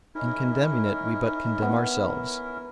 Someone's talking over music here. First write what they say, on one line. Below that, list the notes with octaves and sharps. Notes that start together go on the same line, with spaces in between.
In condemning it we but condemn ourselves.
C#4 D#4 E4 A#4
B3